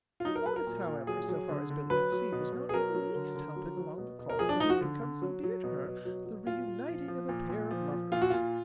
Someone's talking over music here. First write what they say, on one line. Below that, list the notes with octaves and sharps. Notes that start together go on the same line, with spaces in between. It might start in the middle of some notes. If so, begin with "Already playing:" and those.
All this, however, so far as Billy could see, was not in the least helping along the cause that had become so dear to her--the reuniting of a pair of lovers.
F4
F#3 D#4
A#4
F#3 B4
A#4
A#2
A#2
F#3 G#4
F#3
D3
D3
F#3 B4
F#3
B2
B2
G#4
F#3 A#4
F#3
D3
D3
F#3
F#3
B2
B2
A#4
F3 G#4
D4
F3 D#4
F#4
D3
D3
F#3
F#3
B2
B2
F#3
F#3
A#2 F4
A#2
F3
F3
A#2
A#2
F3
F3
A#2 F4
F#4
A#2 F4